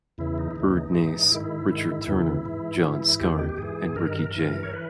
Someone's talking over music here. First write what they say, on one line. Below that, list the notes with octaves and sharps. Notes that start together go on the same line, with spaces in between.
Erdnase, Richard Turner, John Scarne and Ricky Jay.
E2 C#3 E3 E4
D#4
E4
D#2 C#3 E3 D#4
G#2 E3
G#2 D#3 E4
G#2 D#3 E4
E2 C#3 E3
G#2 E3
G#2 E3
E2 D#3 G4
G4
G4
G#2 E3 G#4
G2 D#3 A#4
G2 E3
C#5
E3 B4